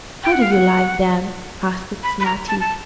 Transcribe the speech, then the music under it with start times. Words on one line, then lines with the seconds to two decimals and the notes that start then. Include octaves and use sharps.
'How do you like them?' asked Snati.
0.24 G5
0.32 F#5
0.42 F5
0.51 F#5
2.03 B5
2.20 B5
2.25 A#5
2.48 A5
2.60 A5